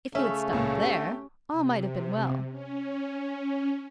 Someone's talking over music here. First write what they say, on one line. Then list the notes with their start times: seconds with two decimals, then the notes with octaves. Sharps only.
If you had stopped there, all might have been well.
0.15 C#3 A3 C#4 E5
0.53 C#2 A#2
0.83 G4
1.52 C3
2.49 C#4